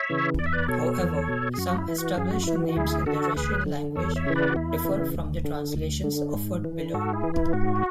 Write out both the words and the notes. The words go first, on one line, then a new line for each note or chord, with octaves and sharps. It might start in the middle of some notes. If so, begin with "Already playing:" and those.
However, some established names in the Russian language differ from the translations offered below.
Already playing: C#5 E5
C#3 E3
E2 D5
E5
B4 D5
B2 A4 C#5
E2
B2
G#4
F#2 F#4
E4
E3
F#4
F#2 G#4
F#4
E3 E4
F#4
F#4
D2 E4 G#4
D3 F#4 A4
D2 G#4 B4
D3
E2 A4 C#5
C#5 E5
C#3 E3
B4 D5
F#4
E2 E4
C#3 E3
D2
D3
D2
D3
G#2
E3
G#2 F#4 A4
E4 G#4
E3
E4
G#2 F#4